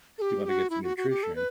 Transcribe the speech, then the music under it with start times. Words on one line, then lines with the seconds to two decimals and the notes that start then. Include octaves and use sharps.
you wanna get the nutrition;
0.18 A4
0.22 G4
0.44 G4
0.49 F#4
0.70 E4
0.83 F#4
0.97 F#4
1.10 G4
1.23 A4
1.36 B4